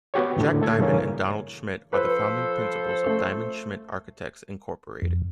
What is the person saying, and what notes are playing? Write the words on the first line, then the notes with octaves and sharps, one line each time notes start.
Jack Diamond and Donald Schmitt are the founding principals of Diamond Schmitt Architects Incorporated.
B3 F#4 G4 C#5
D#2 A2 D3
A3 A4 G#6
G2 A#2 C#3 E3 A#3 C#4
F3 A4 B4 C5
A3
F2